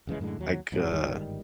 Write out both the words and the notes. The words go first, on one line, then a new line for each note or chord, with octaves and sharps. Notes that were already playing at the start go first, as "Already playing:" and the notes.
like, uh,
F1 C#3 E3 G#3
F#2 A2 D3 G#3
D#2 F#3
F2 G#2 C3 F#3
G1 G#2 D#3 G3